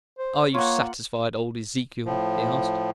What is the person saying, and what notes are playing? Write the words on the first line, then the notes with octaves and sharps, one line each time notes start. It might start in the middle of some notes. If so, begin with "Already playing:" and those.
"Are you satisfied, old Ezekiel?" he asked.
C5
A#3 F4 C#5 F#5
A2 F3